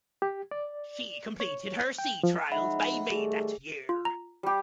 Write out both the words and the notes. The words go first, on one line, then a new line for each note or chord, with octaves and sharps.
She completed her sea trials by May that year.
G4
D5
C#5
G5
F3
F3 G#3 D#4 E5 F#5 B5
D#3 G3 A3 G#4
F4
A#5
G3 G4